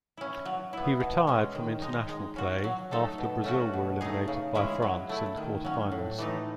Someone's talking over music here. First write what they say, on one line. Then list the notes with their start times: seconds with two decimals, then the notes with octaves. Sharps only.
He retired from international play after Brazil were eliminated by France in the quarterfinals.
0.17 C#4 E4
0.45 F#3
0.73 B3 E4
1.00 B2
1.27 G#3 C#4
1.55 D#3
1.82 G#3 D#4
2.09 G#3
2.36 C#4 F#4
2.64 F#3
2.91 A3 D#4 A4
3.18 B2
3.44 A3 C#4 F#4
3.73 B2
4.01 A3 D#4 G#4
4.28 C#3
4.55 G#3 C#4 E4 G#4
4.82 F#3
5.09 A3 E4
5.37 D#3
5.65 F#3 C#4
5.92 A2
6.18 E3 A3 D#4